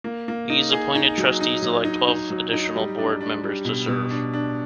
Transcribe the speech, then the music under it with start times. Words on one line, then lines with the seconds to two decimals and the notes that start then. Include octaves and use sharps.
These appointed trustees elect twelve additional board members to serve.
0.04 A#3
0.28 A#3
0.50 D#4
0.72 G#4
0.95 D#4
1.18 F#3
1.41 D#4
1.63 F#3
1.85 D#4
2.08 D#4
2.30 F#3
2.53 D#4
2.76 G3
2.98 D4
3.21 D4
3.43 G3
3.65 B2
3.88 B2
4.10 D4
4.33 D4